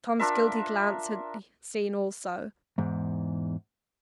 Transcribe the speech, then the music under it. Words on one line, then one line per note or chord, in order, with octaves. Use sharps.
Tom's guilty glance had seen also.
D4 F4 A#4 E5
E2 G#2